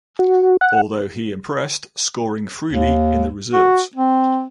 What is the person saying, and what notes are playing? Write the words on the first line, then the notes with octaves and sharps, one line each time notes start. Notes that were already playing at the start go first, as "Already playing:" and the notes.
Although he impressed, scoring freely in the reserves.
F#4
F#5
D#2
F#4
C4